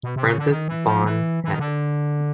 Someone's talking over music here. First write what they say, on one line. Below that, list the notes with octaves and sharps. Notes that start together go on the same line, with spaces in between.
Francis Bond Head.
B2
C3
C#3
D3
D#3
E3
F3
E3
E3
D#3
D3